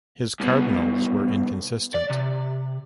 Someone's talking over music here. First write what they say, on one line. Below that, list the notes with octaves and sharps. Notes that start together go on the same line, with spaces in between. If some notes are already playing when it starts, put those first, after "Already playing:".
His Cardinals were inconsistent.
C2 B2
D5
C3